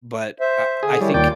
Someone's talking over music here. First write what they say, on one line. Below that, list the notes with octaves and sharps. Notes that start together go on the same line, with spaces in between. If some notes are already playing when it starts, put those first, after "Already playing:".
but, I I think,
C5 E5
D3 G#4
D#3 G3 E4 C#5
D#2 F4 D5 G5